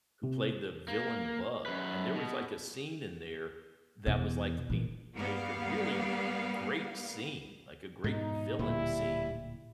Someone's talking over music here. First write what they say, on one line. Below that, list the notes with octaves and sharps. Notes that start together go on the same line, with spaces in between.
who played the villain bug, and there was, like, a scene in there that was, like, a, like, a really gr great scene, like a great villain scene
C3
A#3
F#2 B4
B2
E2 B2
A#2 E3
G2 G3 A#3 B3 F5
G#2 B2 B3 D#4
D1 A#2 G3 E4